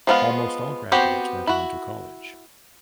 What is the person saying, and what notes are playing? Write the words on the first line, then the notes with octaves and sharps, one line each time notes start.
Almost all graduates went on to college.
F3 G#3 B3 E4 F4
B3 C4 F#4 G4 C5
E4 F#4